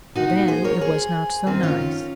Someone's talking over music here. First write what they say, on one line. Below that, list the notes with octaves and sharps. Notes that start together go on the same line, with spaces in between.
Then it was not so nice!
A#2 F3 D#4 F#4
G#4 C5
A#4 C#5
G#4 C5
F#2 D#3 C4 D#4
C#4 F4